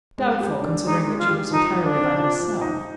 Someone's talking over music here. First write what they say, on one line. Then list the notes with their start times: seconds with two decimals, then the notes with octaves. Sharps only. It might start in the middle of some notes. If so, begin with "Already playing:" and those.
Doubtful, considering that she was entirely by herself.
0.18 G#3
0.41 G4
0.62 D4
0.84 G#3 D#4
1.06 G#3
1.18 F4
1.29 G4
1.51 F3 D#4
1.73 D#4
1.83 D4
1.95 C4
2.17 F3
2.40 F3
2.61 D#4